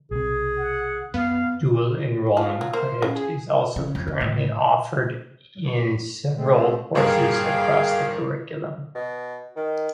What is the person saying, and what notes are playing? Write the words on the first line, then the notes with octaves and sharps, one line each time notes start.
Dual-enrollment credit is also currently offered in several courses across the curriculum.
B1 C3 G#4
F#5
F#2 B3 F5
F4 A5
F#3
A#3 C5
C#3
G#4
C#3
F2
C#3
A2
G#3 A3 C4
G#1 G2 A#3 G#4 F5 G5
B2
D#3